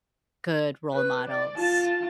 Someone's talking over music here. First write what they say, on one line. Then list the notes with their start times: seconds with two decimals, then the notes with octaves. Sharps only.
good role models.
0.93 B4
1.28 D5
1.57 F4 A5